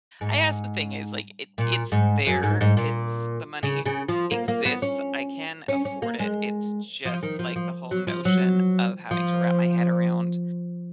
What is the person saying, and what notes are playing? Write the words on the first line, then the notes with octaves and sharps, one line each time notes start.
I guess the thing is, like, it it's there, it's the money exists, I can afford it, it's just, like, the whole notion of having to wrap my head around,
G#2
A#2
G#2
F#2
G#2
G#2
A#2
C#3
C#3
F3
A#3
A#3
B3
C#4
C#4
C#4
A#3
G#3
F3
D#3
F3
F3
F#3
F3
F#3
F3